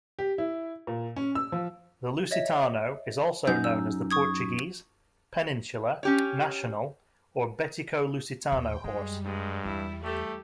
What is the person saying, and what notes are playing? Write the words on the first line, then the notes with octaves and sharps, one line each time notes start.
The Lusitano is also known as the Portuguese, Peninsular, National or Betico-lusitano horse.
G4
E4
A#2
C#4
E6
F3
C#5 D#5 E5
F#2 D#4 G6
E6
C#6 D#6 G#6
C#4 G4 C#5
D#2 A#2 G5
F#2 G3 G#3
G2 G#3
E2 E4
A3 G4 A4